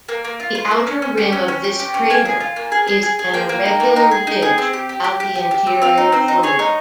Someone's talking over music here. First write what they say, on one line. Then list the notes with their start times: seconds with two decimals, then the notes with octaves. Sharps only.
The outer rim of this crater is an irregular ridge about the interior floor.
0.09 A#3
0.25 A#3
0.40 F4
0.55 F4
0.71 A#3
0.87 C#4
1.02 C#4
1.17 G4
1.32 C#4
1.48 C#4
1.64 G4
1.79 G4
1.94 C#4
2.10 A#3 G#5
2.25 G#4
2.40 F4
2.56 A#3
2.72 G#4
2.88 G#4
3.03 G#4
3.19 G#4
3.34 A#3 G5
3.49 A#3
3.65 D#4
3.80 A#3
3.96 D#4
4.11 G#4
4.27 D#4
4.42 G#4
4.58 C4
4.73 G4
4.89 G4
5.04 G4
5.20 G4
5.35 G4
5.51 G4
5.67 C4
5.82 C4 F5
5.98 D#4
6.12 C4 C5
6.28 D#4
6.43 G#4 C#5
6.59 D#4